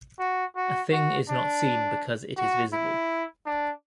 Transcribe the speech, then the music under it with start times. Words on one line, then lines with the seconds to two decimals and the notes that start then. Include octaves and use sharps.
A thing is not seen because it is visible.
0.19 F#4
0.56 F#4
0.92 F#4
1.29 D4
2.37 F#4
2.73 E4
3.46 D4